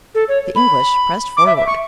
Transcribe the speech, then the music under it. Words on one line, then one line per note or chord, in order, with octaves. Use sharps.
The English pressed forward.
A4
C#5
B5
D6
E5
E5
C#6